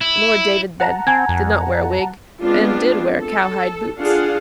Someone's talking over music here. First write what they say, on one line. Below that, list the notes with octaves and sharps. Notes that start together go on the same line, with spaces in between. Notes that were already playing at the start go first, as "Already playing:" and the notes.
Lord David, then, did not wear a wig, and did wear cowhide boots.
E4
F#5 A5 A#5
C4 G#5 G#6
F2
G#3 B3 C4 D4 F4
A4
D4 F4 G#4 F5 F#5